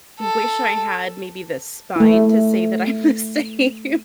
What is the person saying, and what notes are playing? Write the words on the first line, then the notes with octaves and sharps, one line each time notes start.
I wish I had maybe the spine to say that I'm the same.
A4
A3 E4